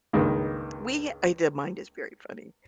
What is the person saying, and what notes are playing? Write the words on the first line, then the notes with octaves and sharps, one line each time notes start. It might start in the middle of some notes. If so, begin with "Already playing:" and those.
we h I the mind is very funny.
C#2 G2 D#3 G#3 A#3